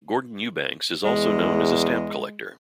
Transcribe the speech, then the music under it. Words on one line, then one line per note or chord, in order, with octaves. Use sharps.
Gordon Eubanks is also known as a stamp collector.
E2 G#3